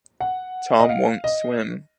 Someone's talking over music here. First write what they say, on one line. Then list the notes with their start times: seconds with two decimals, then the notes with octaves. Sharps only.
Tom won't swim.
0.20 F#5
0.79 D#5
0.89 F5
1.24 D#5